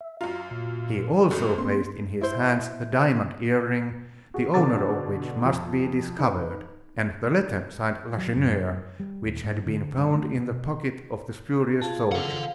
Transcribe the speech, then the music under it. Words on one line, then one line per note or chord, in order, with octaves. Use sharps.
He also placed in his hands the diamond earring, the owner of which must be discovered; and the letter signed "Lacheneur," which had been found in the pocket of the spurious soldier.
E5
F#2 F4 A#5
A#2
G1 F#2 A4
A3 B3 C#4 C6
E4 C5
F#4 G#4
B2 D3 D4 A4 D6 A6
F2
D#4 B4
F#3
F#2
G3
D#1
G#2
D3
G2
A3
B2
F4 G#4 A5
F3 A4 F5 F#5